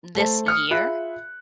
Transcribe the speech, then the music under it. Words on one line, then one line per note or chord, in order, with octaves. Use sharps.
this year,
A3 C5 A5
D#6 F6 C#7
F4 G#4 E5 B5 F#6